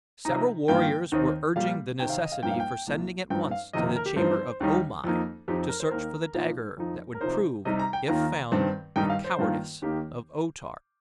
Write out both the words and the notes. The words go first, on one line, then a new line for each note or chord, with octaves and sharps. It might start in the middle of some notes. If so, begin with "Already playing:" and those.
Several warriors were urging the necessity for sending at once to the chamber of O-Mai to search for the dagger that would prove, if found, the cowardice of O-Tar.
C3 F3 D#4 A#5
G2 D#3 A#3 F4 G5
D#2 D#3 C4 D#4
A#2 G3 A#3 F5
C3 D#3 C4 G5
F5
D#5
F5
G2 F3 A#3 D#4 G5
F5
G5
C2 A#2 A#3
G2 F3 C4 D#4 G5
F5
F2 C3 D#3 A#3 D#4 D#5
A#4
G4
G2 F3 C4 D#4 C5
D#2 D#3 G3 D#4
F2 F3 A#3 D#4
F2 F3 C4 D#4 G4
A#4
C5
D#2 D#3 A#3 D#4 A#4
A#2 F3 A#3 D#4
F2 F3 D#4
A#4
C3 F3 C4 D#4 C5
C3 G3 D#4 D#5
A#5
G5
D#2 D#3 A#3 F4 A#5
G2 D#3 C4
G2 D#3 G3 D#4 G5
F5
C5
G2 D#3 A#3 F4
D#2 D#3 A#3 D#4 G4